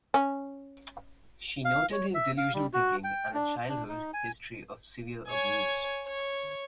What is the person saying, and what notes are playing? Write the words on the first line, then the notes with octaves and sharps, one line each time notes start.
She noted his delusional thinking and a childhood history of severe abuse.
C#4
F5
C#5
E5
F5
G3
F#4
G5
D4
D4
D#4
G#5
C#5 G#5
C#5